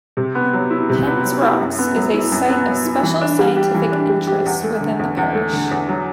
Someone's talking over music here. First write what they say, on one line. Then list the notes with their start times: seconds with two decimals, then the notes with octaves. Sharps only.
Penn's Rocks is a Site of Special Scientific Interest within the parish.
0.17 C3
0.35 B3
0.53 F#3
0.71 E4
0.89 C3
1.07 B3
1.24 F#3
1.42 E4
1.60 F#2
1.79 B3
1.96 F#3
2.13 E4
2.32 F#2
2.50 B3
2.68 F#3
2.85 E4
3.03 E3
3.21 D4
3.39 G3
3.57 G4
3.74 E3
3.92 D4
4.09 G3
4.27 G4
4.46 E2
4.64 A3
4.81 D3
4.99 E2
5.17 E2
5.35 A3
5.53 D3
5.71 E2
5.89 F#3